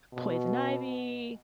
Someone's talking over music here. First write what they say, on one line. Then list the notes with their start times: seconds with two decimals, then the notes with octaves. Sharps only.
poison ivy,
0.13 B2